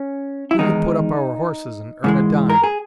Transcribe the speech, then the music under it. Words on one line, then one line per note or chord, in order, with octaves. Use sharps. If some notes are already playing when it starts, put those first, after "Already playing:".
"You may put up our horses and earn a dime."
Already playing: C#4
E4
E2 D#3 G#3 D#4
G#2 E3 G#3
A#4
G#4